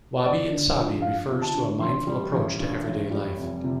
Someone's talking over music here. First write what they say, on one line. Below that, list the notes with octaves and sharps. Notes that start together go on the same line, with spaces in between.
Wabi and sabi refers to a mindful approach to everyday life.
G1 D5
D3
F3
G2 F5
G1
A5
D3
A1 C6
G3
A1
G2
A1
G3
F1
C3